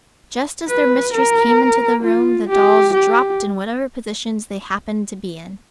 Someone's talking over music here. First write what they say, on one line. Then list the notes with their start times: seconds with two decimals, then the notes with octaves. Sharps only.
Just as their mistress came into the room the dolls dropped in whatever positions they happened to be in.
0.68 B4
1.13 A#4
2.03 F4
2.49 G4
2.93 G4